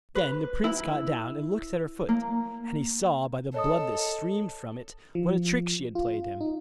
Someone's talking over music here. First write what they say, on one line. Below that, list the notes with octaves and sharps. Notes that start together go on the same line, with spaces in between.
Then the prince got down and looked at her foot; and he saw, by the blood that streamed from it, what a trick she had played him.
B4
E4
A#3
A4 C#5 D#5 D#6
F3
F4
D#4